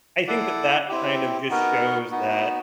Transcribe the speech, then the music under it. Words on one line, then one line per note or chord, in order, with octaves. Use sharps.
I think that that kind of just shows that
E4 A4 D5 F#5
C4 E4 G4
B3 D#4 F#4 A#4
B3 D#4 F#4